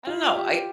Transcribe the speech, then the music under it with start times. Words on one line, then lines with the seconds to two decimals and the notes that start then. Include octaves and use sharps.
I don't know, I
0.07 F4
0.34 G4